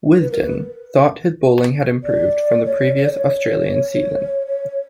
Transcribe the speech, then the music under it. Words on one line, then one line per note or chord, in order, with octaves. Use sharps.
"Wisden" thought his bowling had improved from the previous Australian season.
B4
A#4
B4
D5
C#5
C#5
D5
C#5
C#5